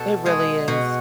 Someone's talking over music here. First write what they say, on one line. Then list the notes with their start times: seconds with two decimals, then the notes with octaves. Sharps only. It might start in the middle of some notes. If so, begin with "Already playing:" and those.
It really is.
Already playing: B2 A4
0.26 G#3 G#4
0.68 B2 F#4